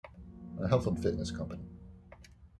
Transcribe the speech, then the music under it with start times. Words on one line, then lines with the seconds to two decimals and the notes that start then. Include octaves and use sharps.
A health and fitness company.
0.12 F2 A#2 F#3 A#3